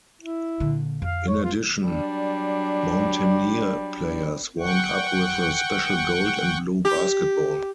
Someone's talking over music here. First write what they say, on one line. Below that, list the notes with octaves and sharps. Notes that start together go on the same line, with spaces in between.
In addition, Mountaineer players warmed up with a special gold and blue basketball.
E4
A#1 D3
F2 F5
C#5
F4
F#3 G3 D4
F#5 G5 C#6
G4